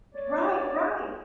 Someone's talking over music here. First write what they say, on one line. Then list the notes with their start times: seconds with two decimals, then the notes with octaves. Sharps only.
Right, right!
0.14 C#5 D5